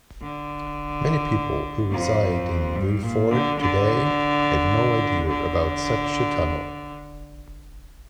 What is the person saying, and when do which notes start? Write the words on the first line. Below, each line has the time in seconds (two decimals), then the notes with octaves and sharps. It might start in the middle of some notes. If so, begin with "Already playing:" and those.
Many people who reside in Vieux-Fort today have no idea about such a tunnel.
0.22 D3
1.91 F2
2.75 G2
3.02 A#2
3.31 D3
3.59 D3
5.27 D3